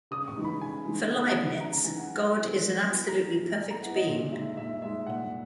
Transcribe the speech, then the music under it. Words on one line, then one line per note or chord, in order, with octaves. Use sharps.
For Leibniz, God is an absolutely perfect being.
C#3 D#6
C#6
E3 G#3 D#4
B5
C#3 G#5
E3 G#3 D#4
C#3 F#5
F#5
E3 G#3 D#4
C#3 A#5
A#5
E3 G#3 D#4 G#5
F#5
F#3
B3 E4
F#3
B3 E4
F#3 A#5
B3 E4
F#3
A#5
B3 E4 F#5
D#5
A#2 D#5
G#3 D#4 E5
A#2 E5
G#3 D#4 E5
A#2 F#5